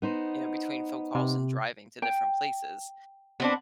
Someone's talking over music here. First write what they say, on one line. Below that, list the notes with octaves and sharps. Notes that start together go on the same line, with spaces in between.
you know between phone calls and driving to different places.
B3 D#4 C5
C3
G5
B3 C4 D4